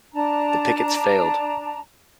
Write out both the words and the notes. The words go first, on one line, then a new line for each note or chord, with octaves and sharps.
The pickets failed.
D4 A5 A#5